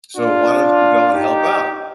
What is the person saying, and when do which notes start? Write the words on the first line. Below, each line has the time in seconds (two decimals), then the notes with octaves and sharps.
so, why don't you go and help out?"
0.16 D4 F4
1.12 D#4 G4